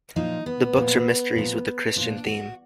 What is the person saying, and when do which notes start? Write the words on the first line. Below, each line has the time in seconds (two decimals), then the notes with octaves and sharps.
The books are mysteries with a Christian theme.
0.16 A#2 F3 D#4
0.46 B3
0.76 A#2 F3
1.36 A#2 F3
1.96 A#2 F3 D4
2.26 F#4